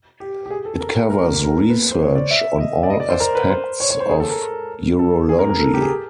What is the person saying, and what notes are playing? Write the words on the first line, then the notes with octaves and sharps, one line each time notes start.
It covers research on all aspects of urology.
G4
G4
G#4
A4
A#4
A#4
A#4
A4
A#4
B4
C5
C#5
D5
E5
D#5
D5
D#5
D5
C5
A#4
B4
C5
C#5
C#5
C5
G#4
A4
A#4
A4
G#4
A#4
A#4
A4
G4
G#4
A4